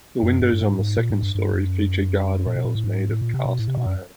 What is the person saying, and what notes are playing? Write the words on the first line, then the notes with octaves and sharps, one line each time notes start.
The windows on the second story feature guard rails made of cast iron.
F#2
G2
G2
G#2
G#2
A#2
G#2
G2
G2
F#2
A#2
B2
A#2
A2
G#2
A2
A#2
C3
B2
A2
C3
B2
F#2